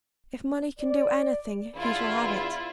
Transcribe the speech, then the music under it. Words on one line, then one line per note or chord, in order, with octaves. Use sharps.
"If money can do anything, he shall have it."
D5
E2 D4 E4 F4